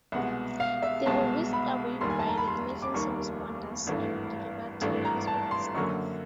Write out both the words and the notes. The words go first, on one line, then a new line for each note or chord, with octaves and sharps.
They were whisked away by the emergency responders and delivered to the hospital staff.
C2 B2 G#3 F#5
F5
E5
C2 B2 G#3 A5
B5
F1 D#2 D#3 G3 A#3 C6
G#5
A5
A#5
B5
C6
D6
F1 D#2 D#3 G3 A#3 C#6
G#1 G2 E3 A3
G#1 G2 E3 A3
A#5
A5
C6
F#2 D3 F#3 A#3 C#6